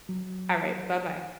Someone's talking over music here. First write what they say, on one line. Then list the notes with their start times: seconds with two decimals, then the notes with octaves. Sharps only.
All right, bye-bye.
0.09 F#3